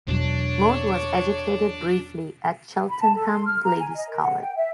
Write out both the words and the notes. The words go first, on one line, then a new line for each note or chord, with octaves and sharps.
Maud was educated briefly at Cheltenham Ladies' College.
E2 B2 F#3 D4 C#5
B5
A5
A4
C6
F6
A#5
G#5
D#5
A#4
F#5
G5
E5